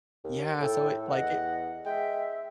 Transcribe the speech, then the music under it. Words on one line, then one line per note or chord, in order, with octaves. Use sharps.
Yeah, so, it like, it
D#2
A2 A4 G5
E2 D#5 F#5
G#3 E5 G5